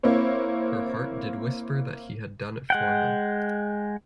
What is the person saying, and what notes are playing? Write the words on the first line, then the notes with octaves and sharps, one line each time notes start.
Her heart did whisper that he had done it for her.
A#3 C4 E4 C5 C#5
G#3 F#5 G5